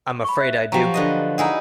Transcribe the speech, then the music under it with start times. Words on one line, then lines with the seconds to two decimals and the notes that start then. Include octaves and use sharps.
I'm afraid I do.
0.24 B5 C#6
0.40 E5 F#6
0.72 F3 F#3 G4 G5 A#5
0.94 D3 B4 D#5
1.38 D#4 E4 G#4 F#5 G#5 A#5